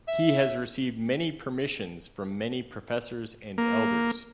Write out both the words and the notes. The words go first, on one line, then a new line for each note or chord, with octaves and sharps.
He has received many permissions from many professors and elders.
E5
A#3